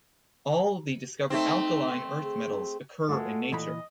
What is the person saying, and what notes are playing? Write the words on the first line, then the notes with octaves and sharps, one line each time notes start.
All the discovered alkaline earth metals occur in nature.
A3 C4 D#4
G#4
G#3 A3 F4 F#4 A4 F#5 A5
A#2 E3 D#5 B5